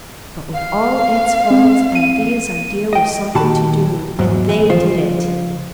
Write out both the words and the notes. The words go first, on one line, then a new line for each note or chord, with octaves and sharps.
But with all its faults Anthea's idea was something to do, and they did it.
F5
C4
D#7
D#5 G5
A#2 D#3 F#4 G4 A5 B5
E2 G#2 F#3
E3
C#3 F3 F4 C5